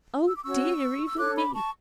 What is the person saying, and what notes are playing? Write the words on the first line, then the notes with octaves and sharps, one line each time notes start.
Oh dear, even me.
E6
D6
C#4 F#4 C#5 C#6 E6
E6
D4 A4 C#5 D6 F#6
B5 D6
A5 C#6